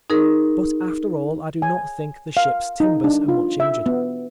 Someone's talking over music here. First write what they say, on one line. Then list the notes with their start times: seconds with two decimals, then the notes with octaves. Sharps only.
But after all I do not think the ship's timbers are much injured.
0.10 D#4 G#4 A#4
1.62 G#5
2.37 F5
2.80 D#4
3.04 D4
3.28 F4
3.60 E5
3.86 B3